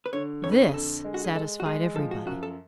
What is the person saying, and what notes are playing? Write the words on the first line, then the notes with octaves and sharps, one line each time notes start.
This satisfied everybody.
B4
D3 C#5
F2 C#5
B4
C#5
G#4
D3 A4
G#3
F#4
G#4
G#3 A4
F#4
G#3 G#4
F3 A4
F#4
F#2 F#4
A4